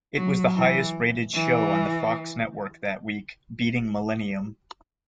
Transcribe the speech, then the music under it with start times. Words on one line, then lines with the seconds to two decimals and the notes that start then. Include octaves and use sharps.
It was the highest-rated show on the Fox network that week, beating "Millennium".
0.17 F#3
0.56 E3
1.34 E3